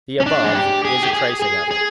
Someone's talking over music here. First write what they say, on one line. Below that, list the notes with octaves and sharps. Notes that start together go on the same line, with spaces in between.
The above is a tracing of it.
C#4
D4
G#4
G4
G#4
G4
G#4
G#4
G#4